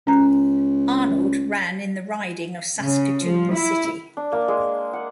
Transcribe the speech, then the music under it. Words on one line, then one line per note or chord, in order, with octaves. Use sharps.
Arnold ran in the riding of Saskatoon City.
C#2 C#4 A#5
C#3
F3
E4
D4
A#3
G#3
F#5